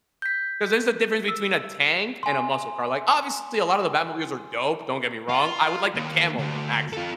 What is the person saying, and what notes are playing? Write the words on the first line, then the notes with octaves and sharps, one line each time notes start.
'Cause there's a difference between a tank and a muscle car. Like, obviously, a lot of the Batmobiles are dope. Don't get me wrong. I would like the camo one, actually.
G6 B6
E6
G#5 C6
F4
D#2
D2
F4 A4